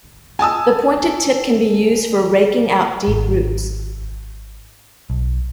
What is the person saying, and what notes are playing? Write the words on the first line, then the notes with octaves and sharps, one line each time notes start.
The pointed tip can be used for raking out deep roots.
G#5 A5 D#6 E6
G#1
B1